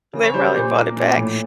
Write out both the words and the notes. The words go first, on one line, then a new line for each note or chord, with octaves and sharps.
they probably brought it back.
C#3
C#5
G3 C5
A#2
A#3
A#2
A2